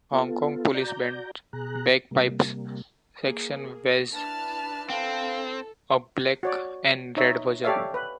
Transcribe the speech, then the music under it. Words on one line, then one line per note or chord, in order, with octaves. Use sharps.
Hong Kong Police Band bagpipes section wears a black and red version.
B3 F4 A4
F#4 D5 A#5 G6
B2 G#4 A#5 F#6
C3 G3 A#3
A#3 G#4
D4 E4 B4 A5 F6
C4 A4 F5
F#4 C#5 D5
D#4 C#5 E5
G4 A4 C#5 D5 E5 F5
B4